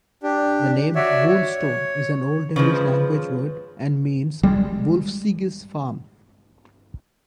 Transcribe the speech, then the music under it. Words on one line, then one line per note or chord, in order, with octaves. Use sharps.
The name 'Woolstone' is an Old English language word, and means 'Wulfsige's farm'.
D4 G4
F#4 C#5 D5 E5
C#5
C#3 F3 G#3 B4
G3 G#3